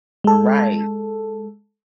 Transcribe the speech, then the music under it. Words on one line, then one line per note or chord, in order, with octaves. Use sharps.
Uh Right.
G#3 A4